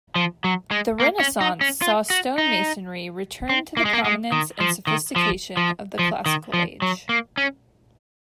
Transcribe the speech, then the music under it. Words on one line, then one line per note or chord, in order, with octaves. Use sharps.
The Renaissance saw stonemasonry return to the prominence and sophistication of the Classical age.
F3
F#3
G#3
A#3
C#4
D#4
C#4
F4
F#4
D#4
C4
A#3
G#3
A#3
G#3
D#3
F3
D#3
F3
F3
F3
D#3
F3
F#3
A#3
C#4